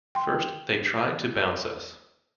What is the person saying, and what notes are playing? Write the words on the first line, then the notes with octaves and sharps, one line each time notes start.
First they tried to bounce us.
G5 C6